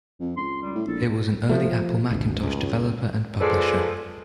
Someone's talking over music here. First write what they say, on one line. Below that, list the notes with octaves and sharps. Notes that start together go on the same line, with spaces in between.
It was an early Apple Macintosh developer and publisher.
F2
C#2 C6
G3
A2
A#1 A4
F3 A3
G#1 D2
C#2
F3 G#3 A4 B4 C5 D5